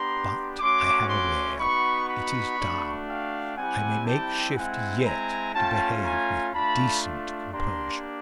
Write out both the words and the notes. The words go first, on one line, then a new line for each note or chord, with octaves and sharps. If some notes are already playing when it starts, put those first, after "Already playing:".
But I have a veil--it is down: I may make shift yet to behave with decent composure.
Already playing: B3 D4 G4 A#5 C6
A3 C#4 F#4 C6 D6
C6 D6
B3 D#4 F#4 B5 C#6
B5 C#6
A3 D4 F#4
F5 G5
G3 C4 E4 G4 F#5 G#5
G5 A5
G#3 C4 E4 F#5 G#5
G#5 A#5
A3 C#4 F4 G5 A5
G#5 A#5
A3 D4 F4 A5 B5
A#3 D4 G4 A#5 C6